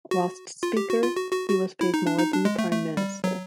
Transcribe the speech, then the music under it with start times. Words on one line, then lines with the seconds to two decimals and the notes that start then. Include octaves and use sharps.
Whilst Speaker he was paid more than the Prime Minister.
0.11 F#4
0.63 F4
0.77 G4
0.90 F#4
1.03 F4
1.16 F#4
1.32 F#4
1.50 F#4
1.81 E4
1.94 D#4
2.07 D4
2.19 D#4
2.33 D4
2.45 G#3
2.59 A3
2.72 A3
2.97 G3
3.24 F#3